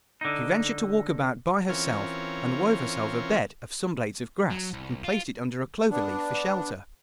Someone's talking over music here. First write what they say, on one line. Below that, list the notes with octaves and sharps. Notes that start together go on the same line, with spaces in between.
She ventured to walk about by herself, and wove herself a bed of some blades of grass, and placed it under a clover leaf for shelter.
D3 D#4
E3 C4 C#4 F4 A#4 C#5
F#3
C2
F4
B3 D4